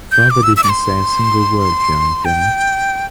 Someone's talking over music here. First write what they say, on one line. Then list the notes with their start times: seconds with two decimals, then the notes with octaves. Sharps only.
Father didn’t say a single word during dinner.
0.12 G6
0.30 D6
0.43 E6
0.57 E6
0.64 D6
0.69 C6
2.25 G5